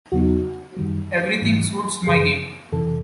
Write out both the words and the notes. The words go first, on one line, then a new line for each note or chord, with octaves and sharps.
Everything suits my game.
E2 C#3 F#3 B3 D#4 F#4
F#2 D#3 G3
G#2 E3 G3
F#2 C#3 F3 G#4
F2 C3 E3 A4